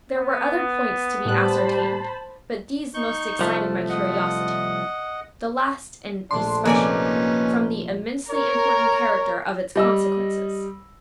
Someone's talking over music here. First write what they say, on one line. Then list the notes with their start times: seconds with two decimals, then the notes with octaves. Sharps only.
There were other points to be ascertained, but these most excited my curiosity--the last in especial, from the immensely important character of its consequences.
0.16 B3
1.25 A2 G3 C5 A5 B5 F#6
2.94 D#4 C#6 G6
3.39 C2 F3 A3
3.89 D#5 F#5
6.31 A#1 A3 D4 C6 D6
6.65 C3 F3 A#3 C#4 D#4 B4 D5 G#5
8.31 A#4 C#5
9.76 G3 D#5 E6